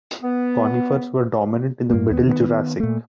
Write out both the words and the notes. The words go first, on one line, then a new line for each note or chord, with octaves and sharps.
Conifers were dominant in the Middle Jurassic.
B3
G2 A#3
D#2 B3
D#3 B3
A#2 A3